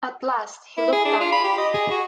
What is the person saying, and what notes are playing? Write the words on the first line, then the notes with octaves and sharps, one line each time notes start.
At last he looked up.
E4
G#4
D4
F4
B5
G4
D#5
G#4
F#4